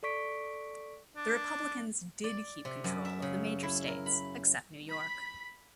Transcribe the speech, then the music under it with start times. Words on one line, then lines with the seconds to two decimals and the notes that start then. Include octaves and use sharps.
The Republicans did keep control of the major states except New York.
0.03 A4 D5 C#6 B6 D7
1.16 D4
2.24 D5
2.65 C3
2.84 F#2
3.05 E5
3.22 C#3
3.63 E4
3.87 A#4
4.06 B5
4.89 B5 B6